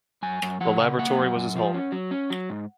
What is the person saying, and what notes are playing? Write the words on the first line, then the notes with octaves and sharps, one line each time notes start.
The laboratory was his home.
F#2 G#5
F#2
F3 F#5
C#3
A#3 F#5
F#2
F#2
F3
C#4
F#3
C#4
F#3
G#2